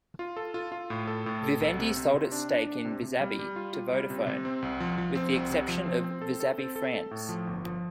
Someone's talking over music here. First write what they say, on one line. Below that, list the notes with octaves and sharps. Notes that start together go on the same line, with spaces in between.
Vivendi sold its stake in Vizzavi to Vodafone, with the exception of Vizzavi France.
F4
A4
F4
F4
A2
A4
A2
A4
C2
C3
C3
C3
D4
D4
D4
C3
C3
G3
G3
F4
F4
G3
C3
C3
C4
C2
F3
F3
C4
C2
C3
F3
C4
C4
A4
A4
C4
A4
A4
A2
F3
G1
F3